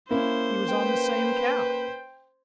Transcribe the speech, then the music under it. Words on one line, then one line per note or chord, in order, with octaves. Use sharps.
He was on the same couch.
A#3 C#4 E4 C5
B4 G5